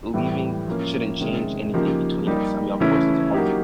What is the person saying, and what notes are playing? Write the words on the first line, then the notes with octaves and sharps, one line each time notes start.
leaving shouldn't change anything between us, I mean, of course, it's obviously
A2 E3 G3
F3 A#3 C#4
C3 D#3 G#3 C#4
C#3 F3 A#3 D#4 G4
G3 A#3 D#4 G4
C#3 E3 A3 C#4 E4
F#3 A#3 D#4 G4